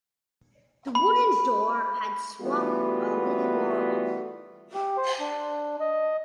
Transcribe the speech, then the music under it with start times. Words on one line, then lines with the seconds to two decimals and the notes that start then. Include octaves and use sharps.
The wooden door had swung a little more open.
0.95 B5
2.41 E3 G3 A3 B3 F4 F#4
4.74 G4
4.97 C5
5.20 D4
5.80 D#5